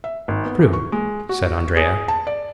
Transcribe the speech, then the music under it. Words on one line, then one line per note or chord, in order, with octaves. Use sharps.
"True," said Andrea.
E5
G#1
B3
E2
C#6
G#3
F#4
G#4
A5
D5